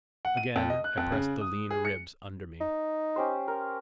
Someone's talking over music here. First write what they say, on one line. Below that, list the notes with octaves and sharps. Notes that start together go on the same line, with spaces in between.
Again I pressed the lean ribs under me.
F#5
D#7
F2
D#5
F#6
F2
C#3
D#6
G#4
C#7
D#4
C#4 G4 C5
A#4